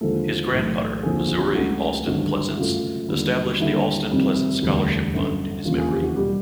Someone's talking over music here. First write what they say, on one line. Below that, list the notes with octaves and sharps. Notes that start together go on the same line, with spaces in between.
His granddaughter, Missouri Alston Pleasants, established the Alston-Pleasants scholarship fund in his memory.
D#2 D3 F3 G#3 A4
B1 A2 E3
F1 D#2 D3 F3 G#4
G#4
C#2 C#3 F#3 A3 F#4
G#1 G2 D3 F#3
E4
F#2 C#3 F#3 A3 F4
D#2 D3 G3
D#2 D3 G3 E4
F2 C3 D#3 G3
E1 D2 D3 G3 F#4
G1 F#2 D3
E1 D#2 C#3 F3 F4
G#4
G4
F#4
B2 G3 G4